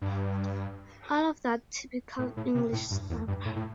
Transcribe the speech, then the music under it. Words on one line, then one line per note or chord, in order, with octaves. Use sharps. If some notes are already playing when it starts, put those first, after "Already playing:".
All of that typical English stuff.
G2
A2
A2
C3
A2
G2
E2
G2
A2
A2